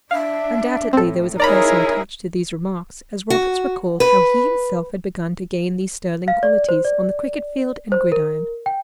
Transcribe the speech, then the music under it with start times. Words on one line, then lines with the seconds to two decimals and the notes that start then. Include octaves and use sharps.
Undoubtedly there was a personal touch to these remarks, as Roberts recalled how he himself had begun to gain these sterling qualities on the cricket field and gridiron.
0.11 D4 E5 F5
0.93 A2 C4 A4
1.40 D#4 E4 G#4 A#4 C#5 D5 A#5 B5
3.30 F#4
4.00 B4
6.28 F5
6.43 D5
6.69 C5
6.85 D5
7.92 C5
8.12 A#4
8.66 G5